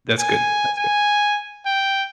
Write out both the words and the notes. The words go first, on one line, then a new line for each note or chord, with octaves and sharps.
That's good, that's good.
G#5
G#5
G5